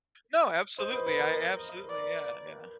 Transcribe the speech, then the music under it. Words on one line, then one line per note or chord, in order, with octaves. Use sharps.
No, absolutely, I absolutely yeah, yeah.
C5 D#5
B4
B4
A#4
D#5
D5